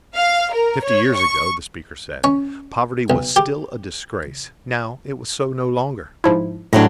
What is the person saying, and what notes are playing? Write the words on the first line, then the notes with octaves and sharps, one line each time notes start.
Fifty years ago, the speaker said, poverty was still a disgrace, now it was so no longer.
F5
A#4
C#5
C#6
C#4
B1
G4
G#2 F3 E4
E2 A2 F#3 D4 A#6